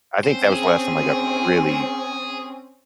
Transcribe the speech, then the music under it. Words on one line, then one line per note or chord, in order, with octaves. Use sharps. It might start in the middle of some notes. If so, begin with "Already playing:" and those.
I think that was the last time I got really
C4 C#4 C5
G#4